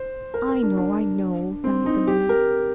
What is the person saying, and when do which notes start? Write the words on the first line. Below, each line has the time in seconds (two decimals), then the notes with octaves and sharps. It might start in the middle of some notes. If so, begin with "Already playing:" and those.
"I know, I know," nodded the man.
Already playing: C5
0.34 A#4
0.48 A#4
0.63 D4
0.77 D4
1.64 C4
1.86 D#4
2.07 G4
2.29 A#4